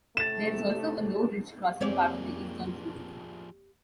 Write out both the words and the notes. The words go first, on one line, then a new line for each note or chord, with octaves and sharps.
There is also a low ridge crossing part of the eastern floor.
A2 C3 A3 A6 E7
F2 F3 A#3 C4 G4 G#4 C#5 D5